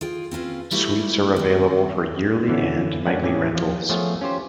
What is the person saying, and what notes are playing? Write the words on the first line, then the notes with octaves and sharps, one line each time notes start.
Suites are available for yearly and nightly rentals.
F4 G#4 G5
C4 C#4 F4 B4
G3 A3 E4 F#4 B4
D#3 C4
D3 E3 B3 C#4
G#3 A#3 B3 C#4 D4 F#5
A2 E3 C#4 G4 D#5
F3
F3 A3 B3 G#4 A4 C#5
C#4 F4 G4 C5